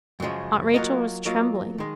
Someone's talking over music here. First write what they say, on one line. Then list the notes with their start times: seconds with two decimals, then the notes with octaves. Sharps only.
Aunt Rachel was trembling.
0.20 F#2 C#3 F3 G#3
0.74 F#3 A#3 F4 A#4 D#5
1.25 F#3 A#3 F4 A#4 D#5
1.78 D#3 G#3